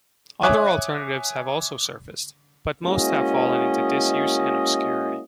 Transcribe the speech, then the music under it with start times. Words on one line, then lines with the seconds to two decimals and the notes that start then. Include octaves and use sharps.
Other alternatives have also surfaced, but most have fallen into disuse and obscurity.
0.43 C#5 E5 G#5 D6 D#6 F#6
2.86 G#3 A#3 C#4 E4 F#4 D#5